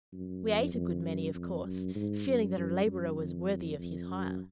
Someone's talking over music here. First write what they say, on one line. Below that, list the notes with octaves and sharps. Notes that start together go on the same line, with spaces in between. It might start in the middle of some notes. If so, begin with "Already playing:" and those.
We ate a good many, of course, feeling that the labourer was worthy of his hire.
F#2
F2
F2
F#2
F2
F#2
G#2
F#2
F#2
F#2
F2
F2
F#2